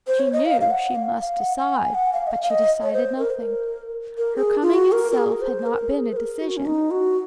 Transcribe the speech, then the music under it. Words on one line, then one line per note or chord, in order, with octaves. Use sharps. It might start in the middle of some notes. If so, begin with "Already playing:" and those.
She knew she must decide, but she decided nothing; her coming itself had not been a decision.
C5
C#5
D#5
F5
F5
F#5
F5
F5
F#5
F#5
G#5
F#5
F5
D#5
F5
F5
D#5
C#5
C5
A#4
C5
A#4
A#4
G#4
F4
F#4
A#4
A#4
G#4
A#4
C5
A#4
G#4
C5
A#4
F#4
C#4
D#4
F#4